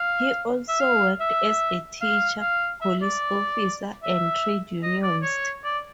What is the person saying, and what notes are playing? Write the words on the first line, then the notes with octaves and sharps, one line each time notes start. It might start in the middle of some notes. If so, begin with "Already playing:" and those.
He also worked as a teacher, police officer, and trade unionist.
Already playing: F5
E5
F5
E5
F5
F5
E5
D5
E5
D#5
D5
C#5
D5